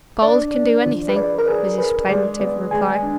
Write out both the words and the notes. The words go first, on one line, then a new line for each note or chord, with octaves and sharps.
"Gold can do anything," was his plaintive reply.
D4 D5
D4
F3
B4
G#4 D5
A#4
G#4 B4
G#4 B4
G#3 D5
B3 D5
G#3 G#5
D4